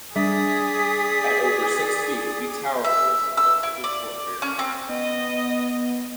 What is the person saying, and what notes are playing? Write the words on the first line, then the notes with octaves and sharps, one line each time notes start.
At over six feet, he towered over the relatively short Barry.
G3 D4 G#4 D5 D#6 B6
E5
E6
E4
D5
C#4
C4
B3 D#5